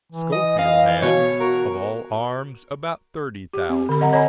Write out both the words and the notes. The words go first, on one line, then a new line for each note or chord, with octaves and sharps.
Schofield had, of all arms, about thirty thousand.
E3
E3 D#5
D#5 F5
B2 C#5
F#4 A#4
G4
C4
D3 B5
D#5 F#5 A#5
C#5 D#5 G#5 B5